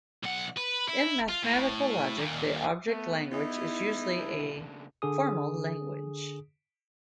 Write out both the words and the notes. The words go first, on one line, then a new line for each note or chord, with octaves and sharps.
In mathematical logic, the object language is usually a formal language.
B1 F#5
B4
E4
F4
A2
D#2 A#2
A3 B3
E2 D#4 E4
C#3 A#3 D4
D3 G#4 D#6